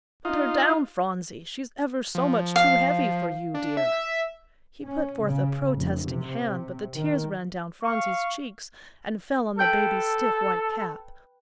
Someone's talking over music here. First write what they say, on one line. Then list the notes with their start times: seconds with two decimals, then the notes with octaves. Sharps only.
"Put her down, Phronsie; she's ever so much too heavy for you, dear." He put forth a protesting hand, but the tears ran down Phronsie's cheeks and fell on the baby's stiff white cap.
0.25 D#4 F4
2.15 F3
2.56 F5
3.54 D4
3.77 E5
4.86 C#4
5.23 C#3
5.74 F1
6.08 C3
6.94 D#3
7.84 F5 C#6
9.59 A4 B4 G5 G6